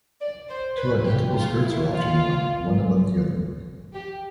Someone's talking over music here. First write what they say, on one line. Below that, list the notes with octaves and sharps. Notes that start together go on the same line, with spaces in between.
Two identical skirts are often worn, one above the other.
D5
C5
B4
G4
F4
E4
F4
G4